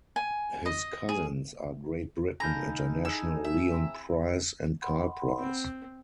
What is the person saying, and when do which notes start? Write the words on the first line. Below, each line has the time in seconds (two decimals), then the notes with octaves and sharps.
His cousins are Great Britain International Leon Pryce and Karl Pryce.
0.16 G#5
0.66 D#5
1.09 G#4
2.40 D#4 A4 F5 G#5 A#5 B5 G6
3.05 E4 G#4 E6
3.44 E5
3.71 C4 A#5
4.82 F#5 B5 C6
5.38 C4